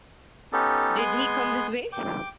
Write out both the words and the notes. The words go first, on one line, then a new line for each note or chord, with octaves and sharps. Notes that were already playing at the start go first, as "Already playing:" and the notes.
Did he come this way?
B3 C#4 D#4 G4 A4
G#3 B3 G#5 C6 D#6
G5 D6